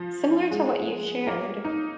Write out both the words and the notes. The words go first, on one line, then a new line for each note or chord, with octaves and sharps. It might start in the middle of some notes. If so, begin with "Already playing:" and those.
Similar to what you shared
Already playing: F3
G#3
A#3
D#4